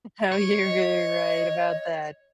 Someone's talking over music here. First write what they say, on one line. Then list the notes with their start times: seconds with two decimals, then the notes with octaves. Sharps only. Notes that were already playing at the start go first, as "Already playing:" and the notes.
Oh, you're very right about that.
0.32 C#5
0.63 D#5